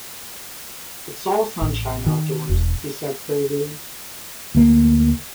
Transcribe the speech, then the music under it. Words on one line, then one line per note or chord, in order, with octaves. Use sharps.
"It's all sunshine outdoors," he said gravely.
A1
D#3
E1
D2 A#3